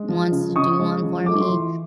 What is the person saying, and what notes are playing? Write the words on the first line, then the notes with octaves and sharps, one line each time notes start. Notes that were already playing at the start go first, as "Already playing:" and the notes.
wants to do one for me,
Already playing: G#3
F3
C#3
C#3 C#6 D#6
G#3
F3
A3 D6
C#6
C6 D6
E3